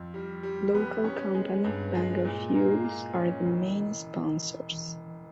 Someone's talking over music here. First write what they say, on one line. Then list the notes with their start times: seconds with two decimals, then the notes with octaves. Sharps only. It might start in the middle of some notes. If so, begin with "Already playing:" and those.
Local company Bangor Fuels are the main sponsors.
Already playing: F2
0.14 G3
0.43 G3
0.75 B3
1.04 C#4
1.34 G#3
1.64 G2
1.95 G#3
2.25 A#2
2.55 A#3
2.84 A#2
3.15 C#4
3.45 E1